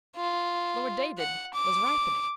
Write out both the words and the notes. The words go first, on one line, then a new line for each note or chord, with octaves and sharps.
Lord David was ripening.
F4
F#5
D6